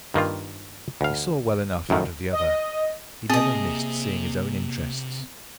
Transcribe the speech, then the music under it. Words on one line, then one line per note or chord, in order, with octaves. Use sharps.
He saw well enough out of the other; he never missed seeing his own interests.
G2 D#3 A#3 F4
D2 F5
F#2 A2 D#3
D#5
C3 A#3 C4 G#4 D#5